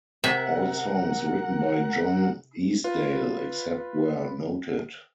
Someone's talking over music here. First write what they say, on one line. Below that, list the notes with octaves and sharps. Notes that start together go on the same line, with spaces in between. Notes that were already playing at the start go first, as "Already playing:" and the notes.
All songs written by John Easdale, except where noted.
C3 A#4 E5 F#5
F4 B4